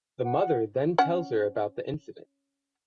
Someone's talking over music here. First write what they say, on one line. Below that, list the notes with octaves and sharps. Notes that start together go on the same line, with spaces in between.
The mother then tells her about the incident.
F#5
C#4 F#5